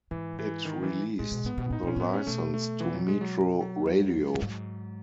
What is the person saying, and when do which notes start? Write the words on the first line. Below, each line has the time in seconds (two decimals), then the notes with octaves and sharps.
It released the license to Metro Radio.
0.11 G#2 E3
0.39 E3
0.65 D#3
0.83 E3
1.19 A2 G#3
1.32 B2
1.45 A2 B3
1.58 B2
1.71 A2 D#4
1.83 B2 C#4
1.96 A2 B3
2.14 C#4
2.27 B2 A3
2.54 A3
2.80 E3
2.94 F#3
3.08 G#3
3.21 F#3
3.61 F#3
4.42 G#2